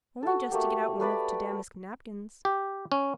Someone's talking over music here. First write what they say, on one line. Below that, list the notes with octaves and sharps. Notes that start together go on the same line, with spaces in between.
'Only just to get out one of t' damask napkins.'
F#4 A4
A3 A#3 G4
A3 B4 D5 B5
G4
C#4